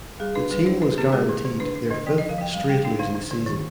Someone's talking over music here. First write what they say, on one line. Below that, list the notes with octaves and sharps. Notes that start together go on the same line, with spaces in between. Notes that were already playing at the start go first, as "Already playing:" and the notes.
The team was guaranteed their fifth straight losing season.
G3 G#4
D4 B4
G3 B4
D4 C5
D4 B4
B3 G4
G#3 G#4
D3
D3
D4 B4
D4
D3 D#5
F3 G5
D#5
F3
F5
F3 G5
G3 F5
G3 G5
D4 G5
D3 F5
D3
D3
D#3